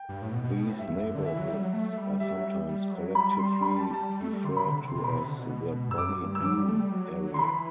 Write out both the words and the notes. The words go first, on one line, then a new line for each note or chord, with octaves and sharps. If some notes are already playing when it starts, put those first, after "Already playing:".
These neighbourhoods are sometimes collectively referred to as the Bonnie Doon area.
Already playing: G5
G2
A2
B2
B2
B2
A2
G2 E5
F#2
F#2
D3
E3 E5
F#3
G3
F#3
A3 E5
A3
G3
G3 E5
F#3
G3
G3
F#3
G3 B5
C6
B5
A5
A5
G3
A3
G3
D3 C6
C3 B5
D3
C3
C6
C3
B2 B5
C3
D3
B2
G2 E6
F#2 D6
G2
E3 E6
F#3 D6
G3
A3
G3
F#3
D3 C6
E3 B5